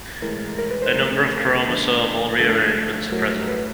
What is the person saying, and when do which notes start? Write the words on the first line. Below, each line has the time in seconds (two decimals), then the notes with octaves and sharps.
A number of chromosomal rearrangements are present.
0.22 A2 E3 G#3 A#4
0.58 A#4
0.71 B4
0.82 C5
0.94 C#3 F3 A3 A#4
1.67 D3 F3 A3
2.39 D3 F3 A3 A4
3.12 A2 F#3 A3 A#4
3.48 B4